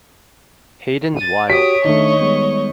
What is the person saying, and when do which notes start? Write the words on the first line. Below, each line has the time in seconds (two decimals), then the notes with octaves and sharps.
"Hayden's wild," they said.
1.17 A6 D#7
1.50 F#4 G4 C#5 D#6 B6 D7
1.85 D#3 A3 D4 D#5 C#6
2.21 G3 G#3 B3